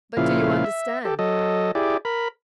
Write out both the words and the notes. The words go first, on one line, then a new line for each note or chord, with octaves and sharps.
"But do you understand?"
A#2 C#3 F3 E4 F5
E5
G4 A4
F#3 A4 D#5
E4 G4 G#4 D5
A#4 B5